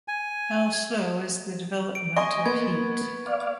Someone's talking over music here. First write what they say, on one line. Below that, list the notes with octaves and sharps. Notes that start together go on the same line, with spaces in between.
How slow is the development of heat.
G#5
D7
D#5 G#5 C6 C#6
A#3 B3 G#6
D5 F5